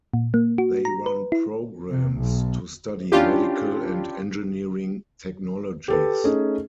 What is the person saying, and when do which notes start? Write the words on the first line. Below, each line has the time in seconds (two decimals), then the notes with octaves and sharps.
They run programmes to study medical and engineering technologies.
0.14 A#2
0.34 A#3
0.58 F#4
0.85 A#5
1.06 B4
1.32 E4
1.89 C3
2.19 B1
3.12 C#4 D4 E4 F4 G4
5.88 G4 A4 B4
6.24 A3 C#4 D#4 G#4